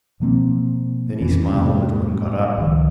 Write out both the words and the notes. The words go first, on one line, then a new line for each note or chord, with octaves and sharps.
Then he smiled a little and got up.
B2 F3 A#3 C4
F2 E3 C#4
A2 C3 G#3 A#3
C#2 D#3 F3